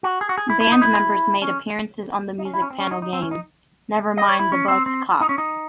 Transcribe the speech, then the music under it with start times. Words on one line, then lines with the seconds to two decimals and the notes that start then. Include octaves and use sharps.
Band members made appearances on the music panel game, "Never Mind the Buzzcocks".
0.03 F#4
0.21 G#4
0.29 F#4
0.38 G#4
0.50 E4
0.61 E4
0.72 D#4
0.82 E4
1.42 C#4
2.38 D#4
2.45 C#4
2.54 E4
2.62 C#4
2.71 C4
2.79 C#4
2.91 D#4
3.02 D#4
3.13 C4
3.22 C#4
3.31 D#4
4.17 D#5
4.29 C#5
4.39 E4
4.52 C#4
4.68 C4
4.86 C4
5.21 D#4
5.29 C#4
5.38 D#4